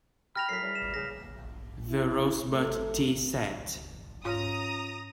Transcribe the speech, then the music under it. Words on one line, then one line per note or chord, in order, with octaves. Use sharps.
The rosebud tea set!
G5 B5 F6 A#6 F7
F#2 A2 F#3 B6 C7
C#3 E3 G3
E7
C#3 A#6
E4
A3
G#2 C#4 F4 C#5 A#5 D#6 F6